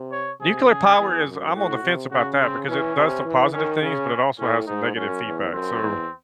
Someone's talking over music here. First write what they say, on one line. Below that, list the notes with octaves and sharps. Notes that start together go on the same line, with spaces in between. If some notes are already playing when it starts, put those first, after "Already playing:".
Nuclear power is I'm on the fence about that because it does some positive things, but it also has some negative feedback, so
Already playing: C3
C#5
C3 G#4
C#3 G#4
E2
F#2
A2 F#4
C3
C#3 F#4
C#3 C4
E3 C#4
C3
E3
D#3 C#4
C#3 C#4
A2 C#4
G#2 D#4
F#2 C#4
E2
F#2 C4
E2